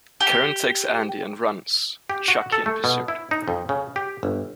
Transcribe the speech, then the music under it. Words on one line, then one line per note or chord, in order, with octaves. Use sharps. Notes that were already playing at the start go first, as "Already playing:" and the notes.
Karen takes Andy and runs, Chucky in pursuit.
G4
G4
F#4
A4
A3
B2
E4
D#4
F2
C#3
G4
G1